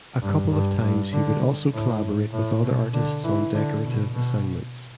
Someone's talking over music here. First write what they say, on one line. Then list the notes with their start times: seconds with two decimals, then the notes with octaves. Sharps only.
A couple of times he would also collaborate with other artists on decorative assignments.
0.22 G2
0.52 G2
0.82 G2
1.12 D3
1.73 A2
2.33 A2
2.63 B2
2.93 D3
3.24 E3
3.54 D3
3.85 B2
4.15 B2